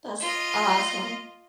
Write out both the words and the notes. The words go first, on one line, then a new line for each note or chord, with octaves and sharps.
That's awesome.
F4 D#5